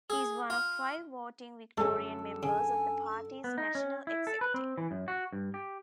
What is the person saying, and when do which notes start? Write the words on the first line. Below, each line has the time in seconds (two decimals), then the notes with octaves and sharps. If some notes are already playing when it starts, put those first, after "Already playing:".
He is one of five voting Victorian members of the party's National Executive.
0.10 G#4
0.50 F4
1.78 F#2 D3 G#3 C#4 A4
2.43 C#3 G#5
3.44 B3
3.58 D#4
3.75 C#4
4.07 E4
4.27 A4
4.41 B4
4.54 C4
4.78 E3
4.91 F#2
5.08 F#4
5.33 G2
5.54 G4